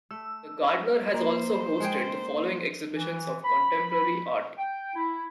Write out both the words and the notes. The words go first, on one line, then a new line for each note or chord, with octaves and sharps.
The Gardner has also hosted the following exhibitions of contemporary art.
A3 E6
A#3 C5
G#3 G#4 G5
E3
B5
G5
E4